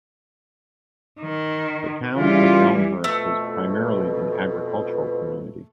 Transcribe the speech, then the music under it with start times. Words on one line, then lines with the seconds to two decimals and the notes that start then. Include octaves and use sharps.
The town of Elmhurst was primarily an agricultural community.
1.21 D#3
2.16 C#3 E3 G3 F4
3.04 F2 B2 A3